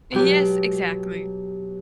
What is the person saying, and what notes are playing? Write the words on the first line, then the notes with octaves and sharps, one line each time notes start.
Yes, exactly.
B2 F#3 G4